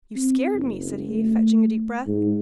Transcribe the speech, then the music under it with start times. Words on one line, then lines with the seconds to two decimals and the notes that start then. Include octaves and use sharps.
"You scared me!" said he, fetching a deep breath.
0.16 C4
0.54 F#1
1.09 A3
2.07 G#2